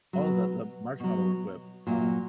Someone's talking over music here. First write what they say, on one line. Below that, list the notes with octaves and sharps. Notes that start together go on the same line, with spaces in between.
Oh, the the marshmallow whip, um,
B2 F#3
B2 F#3
A#2 F#3